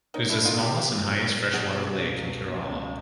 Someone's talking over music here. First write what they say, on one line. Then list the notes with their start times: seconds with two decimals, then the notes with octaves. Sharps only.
It is the smallest and highest freshwater lake in Kerala.
0.14 A#3 C#4 D#4
0.29 D4 E4
0.37 A#3
0.45 D#4 F4
0.60 B2 F4 G4
0.84 A#3
1.06 F#3
1.30 B2
1.53 F#3 F#4 G#4
1.76 B2
2.00 C#2
2.22 B2
2.46 F#3
2.70 C#2